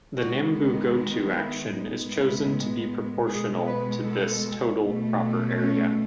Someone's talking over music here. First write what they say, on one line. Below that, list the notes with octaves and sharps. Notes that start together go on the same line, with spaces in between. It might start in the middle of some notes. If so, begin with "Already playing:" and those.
The Nambu-Goto action is chosen to be proportional to this total proper area.
D#3 G#3 B3 F#4
E4
A2 G#3 B3 D#4
E4
B2 G#3 B3 G#4
B4
A4
B2 A3
C#4